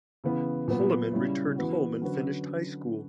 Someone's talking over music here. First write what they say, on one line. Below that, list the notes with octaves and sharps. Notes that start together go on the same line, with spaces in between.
Holliman returned home and finished high school.
C#3 E3 B3
A#2 F#3 B3
C#3 G3 C#4 E4
E3 B3 F#4
D3 F#3 C#4 F#4 B4